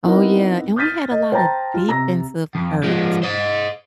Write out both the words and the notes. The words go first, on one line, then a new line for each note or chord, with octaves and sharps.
Oh, yeah, and we had a lot of defensive hurt.
B3 C4 D#4 E4 A#4
D#6 F6 G6 A6 B6 D#7
D#5
C5 G5 A5 A#5 A6
F4
C3 A#5 E6 A#6
F2
F3 G#3
C5 D#5